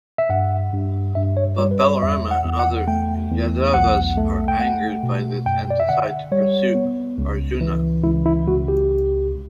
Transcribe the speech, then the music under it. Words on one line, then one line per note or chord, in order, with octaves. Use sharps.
But Balarama and other Yadavas are angered by this and decide to pursue Arjuna.
E5
G2 F#5
G2
G2 E5
C#5
G3 C#5
B4
C#5
E2 E5
F#5
E2
F#5
A3 G5
E2
B1 F#5
A3
G5
A3 F#5
B2
F#2 G5
D5
E5
D3 F#5
G3 C#5
B3
C#2
E3
C#2 E4
E4
C#2 F#4
G4